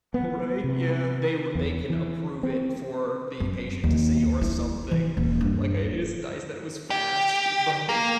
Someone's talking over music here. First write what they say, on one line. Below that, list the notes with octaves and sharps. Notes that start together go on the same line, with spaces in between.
Right? Yeah, they r they can approve it for the patient to see or something. Like, uh, it is nice that it was fast, but
B3
C3
E2
E3
C4
F#2
D#2
E4
E3
D#1
G2
G4
A#3